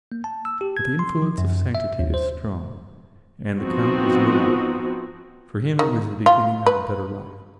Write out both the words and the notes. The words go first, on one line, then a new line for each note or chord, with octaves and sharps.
But the influence of sanctity is strong, and the Count was noble; for him it was the beginning of a better life.
A#3
A5
E6
G4
G#6
C6
F3
F#2
E5
D#2
C5
F3 B3 C4 D#4 F#4
D#3
F4
B4